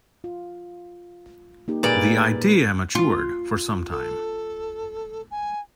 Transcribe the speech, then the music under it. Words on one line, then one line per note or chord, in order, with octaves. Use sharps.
The idea matured for some time.
F4
A#3 D#4 G4
A#2 G#4 B4 D5
F4
A4
G#5